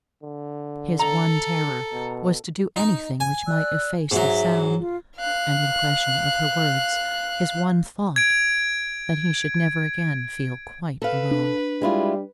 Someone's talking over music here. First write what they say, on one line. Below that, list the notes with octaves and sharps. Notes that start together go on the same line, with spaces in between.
His one terror was to do anything which might efface the sound and impression of her words; his one thought, that he should never again feel quite alone.
D3
A4 A#5
B2
D#4
G#5
D5 E6 F#6
G#2 F#3 E5
F4
F5 F#6
G#6 D7
A4 B4 F5
D4
G3 G#3 E4 F4